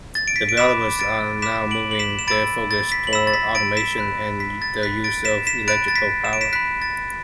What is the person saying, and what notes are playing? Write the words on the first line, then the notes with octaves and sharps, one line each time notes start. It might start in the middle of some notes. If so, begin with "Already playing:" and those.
Developers are now moving their focus toward automation and the use of electrical power.
A6
D7
B6
D7
B5 D6 F#6 B6 E7
A6 D7
B5 D6 F#6 B6 E7
D7 F#7
F#7
B6 E7
E7
B5 E6 A6 D7
A6
B6
F#7
B5 E6 B6 E7
A6
B6
A6 D7
B6 E7
B5 F#6
B6
A6
B5 F#6 B6
A6 D7
B6 E7
B6 E7
B5 F#6 A6 D7
A6
B6
E7
D7
B6 E7
B5 F#6 B6
A6